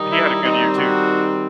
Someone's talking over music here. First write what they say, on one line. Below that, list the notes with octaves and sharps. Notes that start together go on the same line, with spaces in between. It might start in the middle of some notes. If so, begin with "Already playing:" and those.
he had a good year too.
Already playing: D#3 G3 D#4
E4
D#3 G3 C4 D#4
D#4 F#4